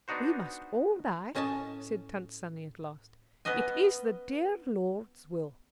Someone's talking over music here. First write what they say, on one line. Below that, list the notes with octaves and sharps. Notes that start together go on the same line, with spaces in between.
"We must all die," said Tant Sannie at last; "it is the dear Lord's will."
B3 D4 D#4 F#4 C5
A2 C#4 D#5 G#5 A5
B3 C#4 D#5 G#5